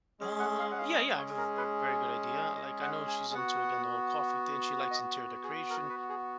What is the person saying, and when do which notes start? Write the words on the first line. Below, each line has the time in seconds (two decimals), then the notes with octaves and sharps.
Uh, yeah, yeah, I have a v v very good idea. Like, I know she's into, again, the whole coffee thing, she likes interior decoration,
0.20 G#3 C#4 G#4
0.40 F#5
0.59 F5
0.71 F#5
0.78 F5
0.99 D#5
1.18 C#5
1.38 A#4
1.57 B4
2.56 D#5
2.82 F#5
3.08 G#5
3.34 B3 F#4 F#5
4.91 D#5
5.44 G#4
5.70 A#4
5.90 B4
6.09 G#4